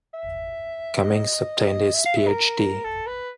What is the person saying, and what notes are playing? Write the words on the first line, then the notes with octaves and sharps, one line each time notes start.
Cummings obtained his PhD.
E5
D#5
E5
F5
E5
A#4
A4
B4